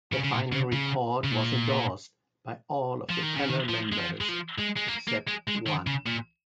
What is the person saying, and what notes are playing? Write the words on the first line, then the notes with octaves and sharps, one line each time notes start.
The final report was endorsed by all of the panel members except one.
C#3
C#3
A#2
C#3
C#3
C#3
A#2
F3
D#3
C#3
D#3
F3
G#3
F3
G#3
F3
G#3
G#3
A#3
A#3
G#3
G#3
D#3
C#3
A#2